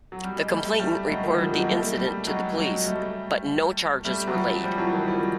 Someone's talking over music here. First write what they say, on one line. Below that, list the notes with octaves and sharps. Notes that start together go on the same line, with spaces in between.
The complainant reported the incident to the police, but no charges were laid.
F#3
G3
G#3
G3 A3
G3 A3
F#3 G#3
D#3 F3
F3 G3
F#3 G#3
A#3
G3 A3
G3 A3
F#3 G#3
F#3 G#3
G3 A3
G3 A3
F#3
F3 G3
F3 G3
E3 F#3
D#3 F3
F3 G3